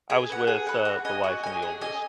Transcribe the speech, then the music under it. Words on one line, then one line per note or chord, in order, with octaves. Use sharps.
I was with, uh, the wife and the oldest,
G#4
B4 F#5
G#4
B4 F#5
F#4
D#5 G#5
F#4
D#5 G#5
G#4
D#5 G#5